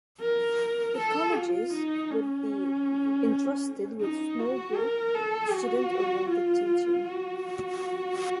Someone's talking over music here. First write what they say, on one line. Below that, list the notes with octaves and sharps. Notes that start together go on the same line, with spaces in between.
The colleges would be entrusted with small group "student-oriented teaching".
A#4
A4
F4
D#4
C#4
D#4
F#4
A#4
A4
F#4
F4
F#4